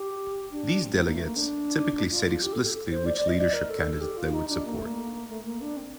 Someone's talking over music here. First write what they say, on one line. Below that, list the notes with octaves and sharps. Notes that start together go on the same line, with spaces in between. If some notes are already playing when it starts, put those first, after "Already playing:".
These delegates typically said explicitly which leadership candidate they would support.
Already playing: G4
D4
C4
A3
A#3
A3
A#3
D4
F4
F4
G4
A4
A4
A4
C5
D5
D5
D#5
D5
A#4
A4
G4
F4
D#4
D4
A#3
A3
A#3
A3
A#3
D4
C4